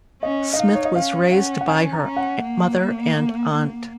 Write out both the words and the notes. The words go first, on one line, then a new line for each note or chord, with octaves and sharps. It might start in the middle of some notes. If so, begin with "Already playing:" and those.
Smith was raised by her mother and aunt.
C#4 D#5
D#5
D#4 F5
C#5
D#5
C#4 F5
C#4 F#5
F#5
C#4 G#5
A#5
C#4
F#5
A#3